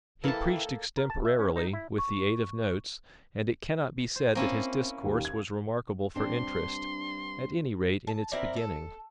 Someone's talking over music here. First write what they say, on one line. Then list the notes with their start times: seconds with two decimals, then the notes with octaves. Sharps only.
He preached extemporarily, with the aid of notes; and it cannot be said that his discourse was remarkable for interest, at any rate in its beginning.
0.24 G2 E3 A#3 A4 A5
0.97 A#4
1.10 A5
1.25 E5
1.39 C#4
1.56 D#4
1.73 E4
1.98 C#6
4.16 C5
4.35 A#3 C4 C#4 E4
5.05 D#2
5.25 G#6
6.16 G2 C4 D4 C6
8.07 A5
8.32 C4 E4 A#4 D5
8.56 A4